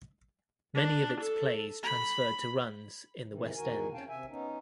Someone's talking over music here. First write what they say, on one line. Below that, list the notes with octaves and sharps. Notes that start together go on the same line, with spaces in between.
Many of its plays transferred to runs in the West End.
D4
A4
B5
G#2 C3 D#3 E3
E2 D#3 F#4 A#4 G#5
F2 C#4 F5 G5 A5
C3 E5 G#5
B3 C#4 D#4